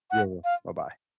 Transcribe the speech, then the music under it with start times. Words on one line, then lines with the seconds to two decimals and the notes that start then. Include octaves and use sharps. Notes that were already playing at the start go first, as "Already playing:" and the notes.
Yeah, yeah. Bye-bye.
0.11 F#5
0.44 F5